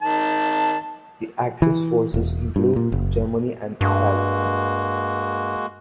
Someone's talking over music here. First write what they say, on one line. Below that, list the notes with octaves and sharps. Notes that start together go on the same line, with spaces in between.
The Axis forces include Germany and Italy.
D#3 A5
E3
E1
G2
A#2
F#1
G2 G#3 A#3 F#4